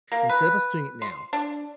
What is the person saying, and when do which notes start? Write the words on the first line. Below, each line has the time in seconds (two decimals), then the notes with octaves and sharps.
Instead of us doing it now,
0.12 A#3
0.29 B4
1.02 C6
1.33 D4